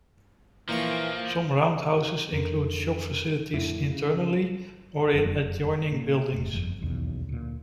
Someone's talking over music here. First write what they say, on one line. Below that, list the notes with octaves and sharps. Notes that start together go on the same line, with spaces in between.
Some roundhouses include shop facilities internally or in adjoining buildings.
A#2 E3 F3 A#3 C#6
F2 D3 A#4
F2 A2 D3 E4
C#3
F1 F#2
A#2
F1 A2
G1 F2
D#1 B1 E2 D#3
D2 A#2